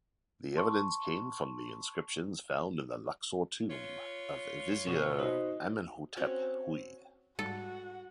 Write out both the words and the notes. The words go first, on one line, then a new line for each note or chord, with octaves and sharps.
The evidence came from the inscriptions found in the Luxor tomb of Vizier Amenhotep-Huy.
A5 C6 C#6
F4 B4 C#5
B2 C#6
D#4 F#4 C5 D#5
C4 C#4 F#4 C#5
G#2 G3 F#4 A4